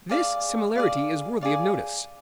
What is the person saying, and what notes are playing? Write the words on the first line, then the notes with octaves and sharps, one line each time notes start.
This similarity is worthy of notice.
G#4 D5 F5
G#4 D5 F5
G#4 D5 F5